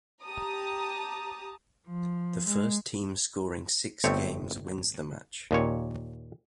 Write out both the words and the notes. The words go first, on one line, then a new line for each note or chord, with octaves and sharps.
The first team scoring six games wins the match.
G4 A5 A#5 D#6
F3
G#3
G1 A3 C4 C#5
D#2 A#2 C#5